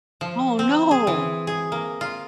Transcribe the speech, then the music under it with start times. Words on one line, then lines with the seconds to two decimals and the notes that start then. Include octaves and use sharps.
Oh, no!
0.21 F3
0.59 C4
0.91 G#4
1.07 E3
1.47 G#4
1.72 A#3
2.01 F4